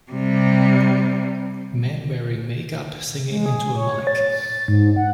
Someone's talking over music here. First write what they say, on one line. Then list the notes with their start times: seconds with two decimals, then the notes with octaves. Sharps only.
Man wearing makeup singing into a mic.
0.12 C3 G3
3.30 G#3
3.46 G#4
3.76 C#5
4.07 A6
4.68 G#2
4.96 F#5